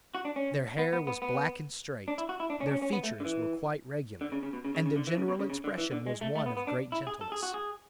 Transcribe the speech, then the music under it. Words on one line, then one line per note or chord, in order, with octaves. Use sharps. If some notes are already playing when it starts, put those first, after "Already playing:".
Their hair was black and straight, their features were quite regular, and their general expression was one of great gentleness.
F#4
D4
C#4
B3
B3
B3
B3
D4
E4
F#4
E4
D4
C#4
D4
C#4
C#4
B3
A3
D3
E3
D3
C#3
C#3
B2
C#3
C#3
C#3
D3
E3
C#3
B2
C#3
C#3
D3
E3
D3
G#3
A3
A3
B3
B3
D4
E4
G#4
A4
G#4
F#4
G#4